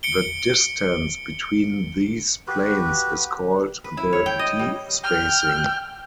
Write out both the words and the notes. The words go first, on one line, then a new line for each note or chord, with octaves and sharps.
The distance between these planes is called the d-spacing.
C#7 D7 G7
F#4 G4 B4
B4
E4
C#5
G5
D#5
G3
G5 F6